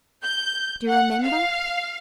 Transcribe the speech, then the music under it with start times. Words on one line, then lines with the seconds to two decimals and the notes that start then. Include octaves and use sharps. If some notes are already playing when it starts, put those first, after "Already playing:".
"Do you remember?"
0.24 G6
0.89 F#5
1.24 F5